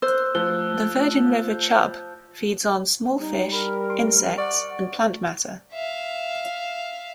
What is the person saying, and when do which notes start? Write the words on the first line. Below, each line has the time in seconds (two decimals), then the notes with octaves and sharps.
The Virgin River chub feeds on small fish, insects, and plant matter.
0.02 C5 E6 F#6
0.35 F3 A3 F#6 G7
1.50 G6
3.19 G3 D#4
3.52 A#4 B5
3.90 C6 D7
4.38 D5 F#5 C#6
5.73 E5 F5